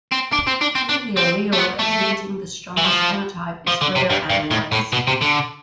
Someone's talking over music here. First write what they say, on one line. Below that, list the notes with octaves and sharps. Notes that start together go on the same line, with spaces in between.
Typically, the allele exhibiting the strongest phenotype is further analyzed.
C4
D4
C4
D4
C4
D4
C4
A3
B3
A3
E3
F3
F3
D3
C3
G2
G2
A2
A2
B2
C3
D3